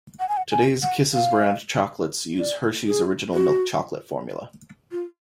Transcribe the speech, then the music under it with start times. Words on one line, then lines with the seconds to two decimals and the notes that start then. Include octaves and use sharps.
Today's Kisses brand chocolates use Hershey's original milk chocolate formula.
0.20 F#5
0.29 G#5
0.37 F#5
0.52 G#5
0.83 F#5
1.14 F5
2.39 D5
2.87 G#4
3.34 F#4
4.92 F4